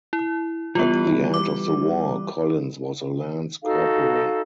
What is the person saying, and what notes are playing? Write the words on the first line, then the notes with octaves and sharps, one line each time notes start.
At the end of the War, Collins was a Lance Corporal.
E4
E3 G3 B3 F4 B4
D6
D#4 F#4 A4 F5